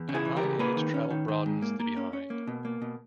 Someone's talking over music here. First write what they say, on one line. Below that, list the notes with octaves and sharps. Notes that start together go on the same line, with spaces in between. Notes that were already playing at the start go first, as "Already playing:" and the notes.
'At my age travel broadens the behind.
Already playing: E2
C#3
E4 G#4
E3
G4 A#4
C#3
A#3 G#4 B4
D#3
C#4
D#3
D#3
G#2
A#3
A#3
C#4
C#4
A#3
B2
A#3
B2